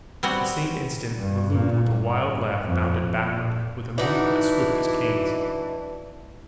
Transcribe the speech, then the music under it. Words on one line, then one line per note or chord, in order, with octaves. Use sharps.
At the same instant Le Loup with a wild laugh bounded backward with a movement as swift as Kane's.
G3 B3 C4 F#4
G2
A#2
G2
F2
A#2
E3 D4 D#4 F#4